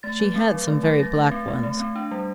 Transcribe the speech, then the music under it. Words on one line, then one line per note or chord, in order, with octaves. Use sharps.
She had some very black ones.
A3 A6
F#3
C4
F#3
A3
F#3
A#6
F#3 A6
A3
C4
A3
A3
C4
D4
G3